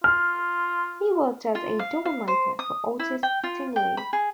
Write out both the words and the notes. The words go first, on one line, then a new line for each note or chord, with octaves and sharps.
He worked as a doll maker for Otis Tingely.
F4 F6
F4
F5
F5
C5
D#6
E4
G5
F4
G5
B5
G#4